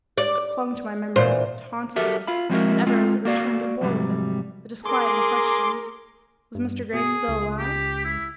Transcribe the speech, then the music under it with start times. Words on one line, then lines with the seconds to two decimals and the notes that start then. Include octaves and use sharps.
But it clung to my memory; it haunted me; and ever as it returned it bore with it the disquieting questions: Was Mr. Graves still alive?
0.18 D5
1.16 E2 A#2 C5
1.96 F#4 G4 A4 A#4 E5
2.27 F4 F5 B5
2.49 F3 G#3 C4 E4 F#4 A#4
2.87 G#3 C4 F4
3.25 A#3 F#4 D5 F5
3.81 F2 G#2 C3 F#3 G3
4.85 G#4 A#4 C6 D6
6.55 G2
6.93 B2 G#4
7.28 C#2
7.59 G4
8.04 E4